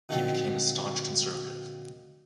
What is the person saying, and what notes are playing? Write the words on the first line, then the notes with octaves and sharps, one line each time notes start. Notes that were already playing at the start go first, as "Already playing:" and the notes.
He became a staunch conservative.
A#2 D3 D#3 F3 F#3 C4